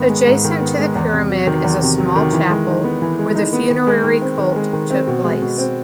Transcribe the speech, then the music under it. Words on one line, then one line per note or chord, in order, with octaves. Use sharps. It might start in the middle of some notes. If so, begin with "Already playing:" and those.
Adjacent to the pyramid is a small chapel where the funerary cult took place.
Already playing: G#2 D#3 B3
G#3
G#2
D#3
B3
G#3
E2
C3
F#3
D#3
E2
C3
F#3
D#3
E3
G#3
D#4
B3
E3
G#3
D#4
B3
D#3
G#3
D#3
C4
D#3
G#3
D#3
C4
B2
G#3
B2
C4